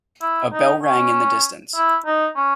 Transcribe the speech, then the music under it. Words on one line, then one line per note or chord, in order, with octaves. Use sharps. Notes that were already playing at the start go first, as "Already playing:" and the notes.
A bell rang in the distance.
E4
D#4
C#4
E4
D#4
C#4